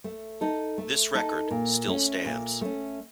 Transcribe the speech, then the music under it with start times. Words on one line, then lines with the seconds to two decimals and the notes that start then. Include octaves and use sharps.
This record still stands.
0.04 A3
0.41 D#4 A4
0.78 A3
1.15 D#4 A4
1.50 A#2
1.88 A3 C#4
2.25 A#2
2.61 A3 C#4